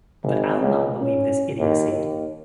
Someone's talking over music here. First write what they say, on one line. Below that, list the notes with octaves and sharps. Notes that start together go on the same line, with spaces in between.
But I’ll not believe this idiocy!
G#1
C#2
C#4
D#2
D#2